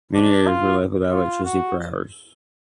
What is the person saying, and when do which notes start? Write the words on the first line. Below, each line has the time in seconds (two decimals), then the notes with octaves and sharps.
Many areas were left without electricity for hours.
0.15 D4
0.47 F4
1.12 F4
1.45 F#4